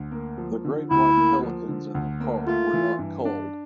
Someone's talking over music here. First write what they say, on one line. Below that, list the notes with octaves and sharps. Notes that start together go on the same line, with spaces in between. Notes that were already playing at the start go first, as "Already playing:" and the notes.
The great white pelicans at the park were not culled.
Already playing: D2
A#3
F3
D3
D2 E4
A#3
F3
D3
D2
A#3
A3 F4
E3
G2
D4